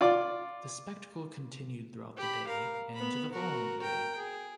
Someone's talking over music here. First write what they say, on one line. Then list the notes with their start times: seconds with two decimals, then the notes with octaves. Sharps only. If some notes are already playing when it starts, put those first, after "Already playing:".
The spectacle continued throughout the day and into the following day.
0.01 F4 D5 D6
2.17 G4 B5
2.47 A#4 F5
2.95 B3 B5
3.31 F#4 A#4
3.79 A#4 G5
4.17 G#4